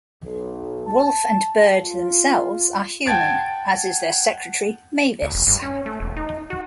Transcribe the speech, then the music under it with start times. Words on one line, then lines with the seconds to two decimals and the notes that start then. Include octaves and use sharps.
Wolff and Byrd themselves are human, as is their secretary Mavis.
0.24 B1
0.87 A5
1.80 F4
3.06 F#5 G5 A5 G#6 A6 D7
5.22 D2
5.34 E1
5.47 G2
5.62 C#4
5.86 A3
6.00 E1
6.16 D#4
6.50 F#4